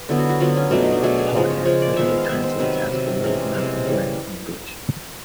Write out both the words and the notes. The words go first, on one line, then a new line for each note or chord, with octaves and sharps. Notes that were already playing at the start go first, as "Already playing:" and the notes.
The name Podhale literally translates as "below the mountain glen" in English.
Already playing: B4
D3 F#3 B3 E4
F#4
F#4
D3 F#3 B3 F4
C#4
B2 F#3 A3 D4
D#4
D4
B2 F#3 A3 G#4
G#4
C#3 F3 G#3
C#5
C#3 F3 G#3 C#5
D5
D#3 G#3 B3 E5
F5
F5
D#3 G#3 B3 E5
C5
C3 D#3 F#3 B4
E5
C3 D#3 F#3
C3 E3 G#3 C#4
C3 E3 G#3 C#4 F5
C#3 E3 G3